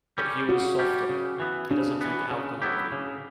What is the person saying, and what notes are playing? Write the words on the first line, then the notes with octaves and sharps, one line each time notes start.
But he was softer-he doesn't drink alcohol anymore.
G3 C#4 G4
C#3 F#4
G3 C#4 G4
C#3
E3 B3
C#3 D4
E3 B3
C#3
F#3 B3 E4 G4
C#3